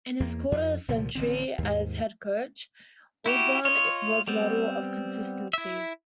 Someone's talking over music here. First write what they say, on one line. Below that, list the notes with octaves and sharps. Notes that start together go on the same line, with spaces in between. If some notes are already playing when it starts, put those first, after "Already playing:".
In his quarter-century as head coach, Osborne was a model of consistency.
E2 A#3
F2
C2 A#2 D3 F3
A1 D3 C4
D#2 G#2
E4 F#4 G4
F4 C#5 D#5
G3 B3 C4
E4 E5